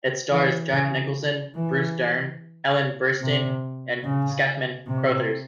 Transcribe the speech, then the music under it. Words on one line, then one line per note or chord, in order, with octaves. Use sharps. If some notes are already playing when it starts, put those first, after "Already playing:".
It stars Jack Nicholson, Bruce Dern, Ellen Burstyn and Scatman Crothers.
E3
C#3
E3
C3
C#3
C3